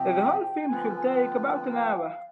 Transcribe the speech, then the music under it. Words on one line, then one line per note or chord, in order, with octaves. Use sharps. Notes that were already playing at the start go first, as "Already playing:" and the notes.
The whole film should take about an hour.
Already playing: C3 F3 C4 G4 G5
D3 F3 B3 F4 B4 G#5
G#5
G5
G5
G5
F5